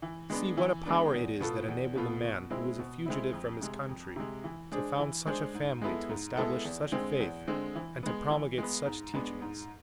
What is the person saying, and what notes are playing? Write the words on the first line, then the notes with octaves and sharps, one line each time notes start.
See what a power it is that enabled a Man Who was a fugitive from His country to found such a family, to establish such a faith, and to promulgate such teachings.
E3
G#3 B3 D4
E3
G#3 B3 D4
E2
B2 B3 F4 A4
E2
B2 B3 F4 A4
B2
G#3 C4 E4
B2
G#3 C4 E4
F2
C3 G#3
F2
C3 G#3
E3
G#3 D4 G#4 C5
E3
G#3 D4 G#4 C5
G#2
G#3 B3 E4 A4
G#2
G#3 B3 E4 A4
E2
D3 G#3 C4
E2
D3 G#3 C4
E3
G#3 B3
E3
G#3 B3
G#2
G#3 B3 D4
G#2